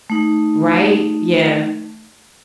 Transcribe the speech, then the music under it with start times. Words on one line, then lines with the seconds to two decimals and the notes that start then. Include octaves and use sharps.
Right? Yeah.
0.10 A3 D#4